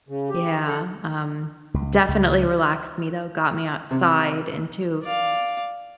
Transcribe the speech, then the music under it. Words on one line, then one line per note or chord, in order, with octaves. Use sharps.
Yeah, um, definitely relaxed me, though, got me outside into
C#3
G4
A4
C#2
C#2
C3
D5 F5